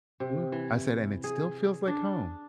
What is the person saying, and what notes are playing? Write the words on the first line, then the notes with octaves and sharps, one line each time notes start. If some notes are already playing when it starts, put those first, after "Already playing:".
Ooh. I said, and it still feels like home.
C3
E3
G#4
D4